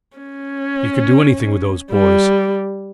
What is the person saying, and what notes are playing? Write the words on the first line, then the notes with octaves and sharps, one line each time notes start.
'You could do anything with those boys.
C#4
G3